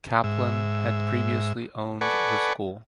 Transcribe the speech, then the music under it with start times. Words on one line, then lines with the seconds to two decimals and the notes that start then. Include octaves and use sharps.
Kaplan had previously owned the school.
0.24 G#2 E5
2.01 A4 B4 D5 F#5 G#5 C#6